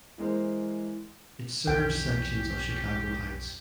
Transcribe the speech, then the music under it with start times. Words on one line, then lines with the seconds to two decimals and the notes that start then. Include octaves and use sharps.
It serves sections of Chicago Heights.
0.18 E3 G#3 A#4 C5
1.67 B1 F2 E3 C#4 G4 G5